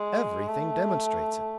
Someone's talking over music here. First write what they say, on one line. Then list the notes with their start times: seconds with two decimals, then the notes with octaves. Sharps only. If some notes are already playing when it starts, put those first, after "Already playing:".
Everything demonstrates it.
Already playing: G#3
0.49 A3